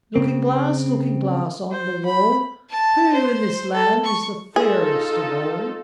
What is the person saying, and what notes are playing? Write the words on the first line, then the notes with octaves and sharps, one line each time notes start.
"Looking-glass, Looking-glass, on the wall, Who in this land is the fairest of all?"
C#3 C4
C5
B5
A5
C5
A4
C#6
D#4 F4 G#4 A4